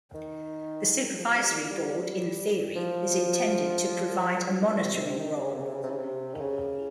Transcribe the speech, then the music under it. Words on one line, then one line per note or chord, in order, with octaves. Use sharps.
The supervisory board, in theory, is intended to provide a monitoring role.
D#3
F3
G3
A#3
G3
F3
A#2
C3
C3
D#3
C3
C#3
C3
C#3
C3
C#3
C3
C#3
C3
D#3
C#3